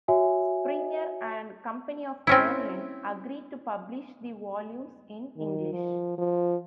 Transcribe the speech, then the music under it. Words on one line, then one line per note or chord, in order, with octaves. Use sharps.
Springer and Company of Berlin agreed to publish the volumes in English.
F#4 C#5 E5 G#5
C4 C#4 E4
D#3
F3
F3